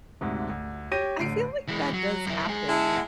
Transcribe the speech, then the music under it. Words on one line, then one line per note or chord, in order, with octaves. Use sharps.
I feel like that does happen
D2 G#2 C3
D2
G4 C#5 G6 A#6 D#7
A1 D3 C7 D7
E3 G#3
F#3
F#2 E4
G#2 G#4
G#3 B3 E4 A5